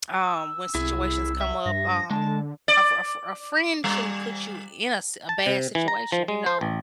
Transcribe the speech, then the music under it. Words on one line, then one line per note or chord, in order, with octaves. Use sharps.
um, when situations come up, um, a fri a fri a fri friend shouldn't put you in a s a bad situation, you know,
E6
C2 E4 G#4
E5
G2 A#6
D3 G#3 A5
D5
G3
A5
C3
E3
A#5
F3
G#3
C5
A1